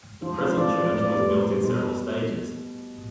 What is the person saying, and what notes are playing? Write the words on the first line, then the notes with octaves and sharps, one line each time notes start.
The present church was built in several stages.
F3 C5
C4 F4
F3 D5
C4 F4
A2 D5
B3
G3
A2 C5
G3 B3
B2